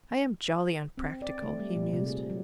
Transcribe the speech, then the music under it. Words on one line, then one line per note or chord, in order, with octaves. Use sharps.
"I am jolly unpractical," he mused.
C4
D5
A3
G3
A#2
C3
G#4
F#3